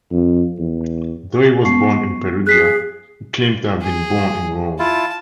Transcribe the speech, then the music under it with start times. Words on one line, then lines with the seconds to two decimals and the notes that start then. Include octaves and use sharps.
Though he was born in Perugia he claimed to have been born in Rome.
0.12 F2
0.59 E2
1.65 G#3 B3 C#4 C#6 C7
2.47 G#4 F#6 B6 C7
3.81 G#4
4.79 E4 F4 A5